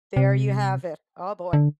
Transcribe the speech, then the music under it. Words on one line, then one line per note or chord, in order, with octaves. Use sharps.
There you have it. Oh, boy.
C3
D3